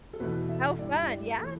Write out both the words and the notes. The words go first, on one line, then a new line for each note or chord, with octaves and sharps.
How fun, yeah.
A4
E2 B2 A3 E4 B4
E5
G2 G3 E4 D5
D5
E3 A3 E4 A4